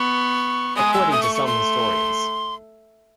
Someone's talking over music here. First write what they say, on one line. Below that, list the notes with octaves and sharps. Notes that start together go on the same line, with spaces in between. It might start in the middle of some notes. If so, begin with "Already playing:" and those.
According to some historians.
Already playing: B3 C#6
G#3 D#6
E6
A3 D#6
C#6
C#6
C6